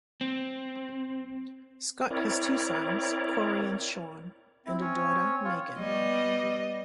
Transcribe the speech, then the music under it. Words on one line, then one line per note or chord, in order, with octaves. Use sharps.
Scott has two sons, Corey and Shawn, and a daughter, Megan.
C4
C4 E4 A#4 C#5 D5
C4 E4
C#4 C#5
F4 C#5
G3 B3 D#5